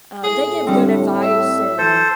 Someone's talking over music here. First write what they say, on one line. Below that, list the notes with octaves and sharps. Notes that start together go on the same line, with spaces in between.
um, they give good advice, and,
A2 G#4
D3 G3 C4
E5
E3 A4 C5